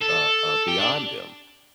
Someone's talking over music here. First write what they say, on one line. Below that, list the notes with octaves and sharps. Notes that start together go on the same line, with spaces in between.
uh uh, beyond them,
A4
G4
D4